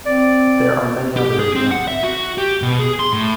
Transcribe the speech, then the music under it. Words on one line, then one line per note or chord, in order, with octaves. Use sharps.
There are many other examples.
C4 D5
G4
G#4
C4
F#5
E5
F#4
G4
B2
G#4
C6
A2